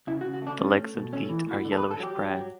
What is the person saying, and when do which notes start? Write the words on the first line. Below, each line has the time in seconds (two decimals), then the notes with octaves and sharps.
The legs and feet are yellowish-brown.
0.07 C#3 E4
0.21 F#4
0.25 C#3
0.34 F#4
0.42 A3 D4
0.59 A3 C#4
0.77 A3
0.95 B2
1.13 A3 C#4
1.29 E3
1.47 A2 F#4
1.65 D3
1.72 A4
1.77 B4
1.82 D3
1.91 A4
2.00 F#3 G4
2.17 F#3
2.34 F#3